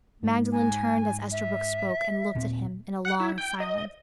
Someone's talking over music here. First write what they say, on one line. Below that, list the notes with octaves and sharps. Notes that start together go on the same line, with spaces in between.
Magdalen turned as Esterbrook spoke, and looked at him in a long silence.
G#2
G#5
E5
D#1 A#2 C4
F#5
E4
G5
D#5